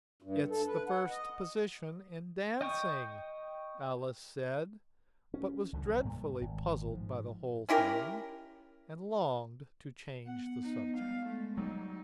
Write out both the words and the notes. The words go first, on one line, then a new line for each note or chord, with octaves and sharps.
'It's the first position in dancing.' Alice said; but was dreadfully puzzled by the whole thing, and longed to change the subject.
G2
A4
B4
F#5
D#5
D#5 G5 C#6 D#6
C#4
C#2 D3 E3 G3
C2 C3 F#3
G2 A#2 D3 G3
G#1
G#2 F3
C#4 E4 G4 A#4
B3 F#5
D#4
G3 F5
G#3 A3
F#3 G3 D#4